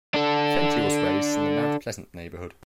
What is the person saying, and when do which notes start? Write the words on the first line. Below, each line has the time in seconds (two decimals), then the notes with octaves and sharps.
Fenty was raised in the Mount Pleasant neighborhood.
0.14 D4 A4